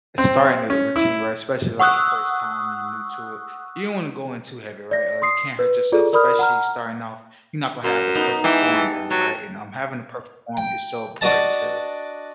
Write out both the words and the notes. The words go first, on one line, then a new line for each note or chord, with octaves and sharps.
starting a routine, right? Especially, like, your first time, you're new to it. You don't wanna go in too heavy, right, or you can hurt yourself, especially starting off. You're not gonna have the perfect form down, right? And, um, having a perfect form is so important to,
C4
C#4
E4
F#5 C#6 D#6 E6 F#6
D5 A#6
C6 D#6 C7
B4
F4 G#4 A4 D5
A#4 D5 B5 D#6 F6
F#5 A#5 F6
F#2
B3 D#4
E3 G#3 G4
A4
F#3 A4
G5
D4 F#4 D5 D#5 A5